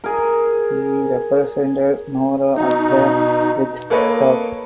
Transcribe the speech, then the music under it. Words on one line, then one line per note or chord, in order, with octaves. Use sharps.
He represented Nora at the Riksdag.
G#4 A#4
B2 D#4
A#3 A4 B4 C#5 D#5